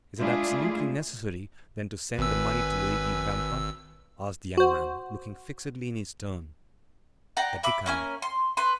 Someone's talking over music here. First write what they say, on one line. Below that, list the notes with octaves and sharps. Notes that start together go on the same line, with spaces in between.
"Is it absolutely necessary, then, to send the money to Luigi Vampa?" asked the young man, looking fixedly in his turn at the count.
G#3 A3 D4 E4 F4 G#4
G#1 B4 G#5 E6
F#4 C5
D5 F#5 G5 A#5
E5 B5 D6
A#3 C#4 G#5
C6
B4 C6